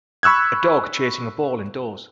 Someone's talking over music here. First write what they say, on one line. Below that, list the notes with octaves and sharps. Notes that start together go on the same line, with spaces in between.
A dog chasing a ball indoors.
B5 C#6 E6 F#6 G#6